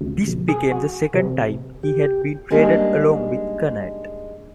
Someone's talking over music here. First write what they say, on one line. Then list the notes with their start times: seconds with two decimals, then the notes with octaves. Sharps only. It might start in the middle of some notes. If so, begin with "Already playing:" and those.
This became the second time he had been traded along with Kunnert.
0.01 D2
0.27 B1
0.49 G#4
0.72 F#4
1.14 C3
1.83 G4
2.50 G3 G#3 A#3 D4 D#4 G#4